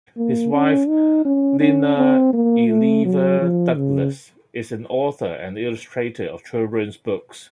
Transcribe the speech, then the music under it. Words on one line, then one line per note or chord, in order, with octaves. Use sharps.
His wife, Nina Ilieva Douglas, is an author and illustrator of children's books.
A#3
C#4
D#4
C#4
C#4
C4
A#3
A3
F#3
F3
C#3